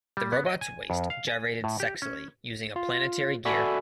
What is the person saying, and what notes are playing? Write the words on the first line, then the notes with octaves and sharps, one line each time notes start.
The robot's waist gyrated sexily using a planetary gear.
G3
B3
D#5
G#5
F2
F5
G#5
A2
G4
C#4
F4
F#4 A4 D5 E5 G#5 B5